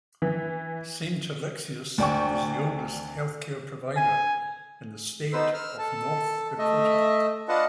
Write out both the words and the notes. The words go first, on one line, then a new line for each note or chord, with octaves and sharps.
Saint Alexius is the oldest healthcare provider in the state of North Dakota.
E3
D2 D5 G5 C#6
G#5
B3 D#4 B4 C5 E6
E6 F6
A4 A5
A3 D#5 E5
D4 F4 B4 D#5 F#5 A5